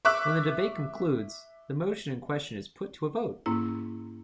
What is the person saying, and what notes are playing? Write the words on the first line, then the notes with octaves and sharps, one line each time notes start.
When the debate concludes, the motion in question is put to a vote.
E5 C#6 D6 E6 F#6
G#2 A#3 C#4 E4